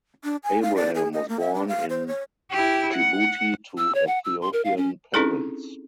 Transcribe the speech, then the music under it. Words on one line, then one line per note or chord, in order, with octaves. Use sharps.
Abraham was born in Djibouti to Ethiopian parents.
D4
G#5
F5
D5
G#4
D#5
A#3
E5
D4
F5
C5
C#5
E4 G4
F#5
E6
C#5
F#5
E6
C6
A#4
F5
C#4
C4 C#4 D#4 E4 G#4 A4